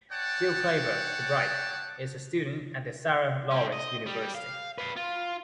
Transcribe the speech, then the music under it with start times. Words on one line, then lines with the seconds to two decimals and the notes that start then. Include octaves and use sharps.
Jill Clayburgh, the bride, is a student at the Sarah Lawrence University.
0.12 C#5 D5 F#5 G5 A5
3.51 C4 C#4
3.73 D#5
4.06 G3
4.35 F5
4.78 B4 F5
4.96 F4